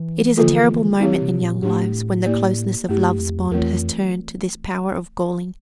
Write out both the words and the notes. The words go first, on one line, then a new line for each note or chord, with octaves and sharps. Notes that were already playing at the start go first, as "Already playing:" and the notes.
It is a terrible moment in young lives when the closeness of love's bond has turned to this power of galling.
Already playing: E3
D3 F3 A#3 F4 A4
E3 G3 C4 E4 G4
C3
A#2
A2 A3 D4 G4
A#3 E4 G4 D5
G2 A3 E4 G4
F2
E2 E3 A3 C4 F4 A#4
F2